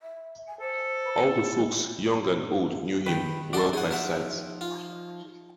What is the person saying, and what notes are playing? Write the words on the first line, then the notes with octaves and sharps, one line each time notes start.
All the folks, young and old, knew him well by sight.
E5
G#5
A4 C5
E4
D#3 B4 G5
F#4 A4 D5 A5 C6
F3 D#4 G#4 F#5
A#4 E5 F#5
F4